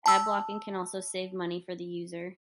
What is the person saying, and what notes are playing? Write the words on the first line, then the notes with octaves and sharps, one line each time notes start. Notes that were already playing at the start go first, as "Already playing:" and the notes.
Ad blocking can also save money for the user.
A5 E6